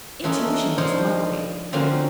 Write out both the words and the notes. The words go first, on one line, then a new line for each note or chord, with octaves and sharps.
'Intuition, most likely.'
E3 C#4 F4 A4 A#4 D#5
F3 D4 D#4 C5 C#5 D#5
D3 A#3 C4 C#4 F4 F#4